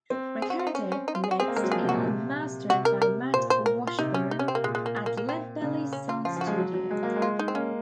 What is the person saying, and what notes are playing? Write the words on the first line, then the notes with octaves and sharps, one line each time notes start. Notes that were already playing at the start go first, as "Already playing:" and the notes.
Recorded, mixed, and mastered by Matt Washburn at LedBelly Sound Studio.
C4
G#4
F#4
F4
D#4
C#4
C#4
D#4
F4
G#4
F#4
C4 G#4
A#3
G#3 A#4
F#3
F3 G#4
C3
F#4
A#2
C3
C3 F#4
A#4
A#4
A#2 C5
C5
A#4
F4
C3 D#4
C#4
D#4
C#4
C4
A#3
A#2 G#3
G#3
A#3
G#3
A#3
A#3
C4
C#3
C#4
F4
F3 F4
F3 F#4
G#3
F#3
F#3
G#3
A#3
G#3
F4
D#4
C4
A#3 C#4